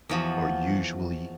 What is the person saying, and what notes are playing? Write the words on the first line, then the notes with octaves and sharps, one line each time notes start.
or usually
E2 F3 F#4